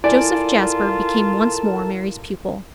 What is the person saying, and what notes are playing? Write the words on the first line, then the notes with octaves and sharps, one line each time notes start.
Joseph Jasper became once more Mary's pupil.
E4 F4 A4 A#4 D5 G#5 A5